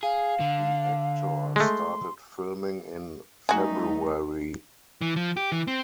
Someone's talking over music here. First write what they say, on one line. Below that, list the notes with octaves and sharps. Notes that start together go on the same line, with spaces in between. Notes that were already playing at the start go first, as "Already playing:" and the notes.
The actor started filming in February.
G#4 F5
D3
G#3 A3 C6
G3 A3 D#4 F#4 G#4
E3
F3
G4
E3
C4